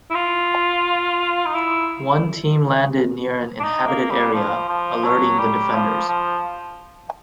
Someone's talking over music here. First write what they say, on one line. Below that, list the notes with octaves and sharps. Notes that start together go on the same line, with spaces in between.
One team landed near an inhabited area, alerting the defenders.
E4
F4
D#4
E4
D4
D#4
A#3
G3
F3
F3
F#3
G3
F3
F3